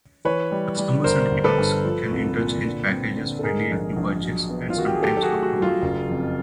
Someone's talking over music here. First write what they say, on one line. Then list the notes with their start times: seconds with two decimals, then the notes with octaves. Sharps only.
Customers and clerks can interchange packages freely until purchase, and sometimes afterward.
0.25 E3 B4 C#5
0.51 G3
0.78 G3
1.04 G1 A#4 C5
1.31 G1
1.44 A4 B4
1.58 G2
1.84 F3
2.11 C2
2.37 A#2
2.64 D3
2.90 C4
3.17 D3
3.39 A4
3.43 G#2 G#4 A#4
3.71 A#1
3.96 A#1
4.24 F#3
4.50 B3
4.70 F4
4.76 D#3 F#4
4.87 G4
4.95 G#4
5.03 F#3 G4 A4
5.17 A4
5.22 F#4 G#4
5.29 A3
5.43 F#4
5.56 F#3
5.62 F4
5.82 F#1
6.10 F2